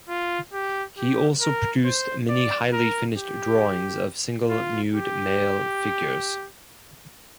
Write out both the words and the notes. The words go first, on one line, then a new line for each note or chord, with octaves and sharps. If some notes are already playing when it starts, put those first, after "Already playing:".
He also produced many highly finished drawings of single nude male figures.
F4
G4
G4
A#4
C5
D5
A#4
G4
F4
G4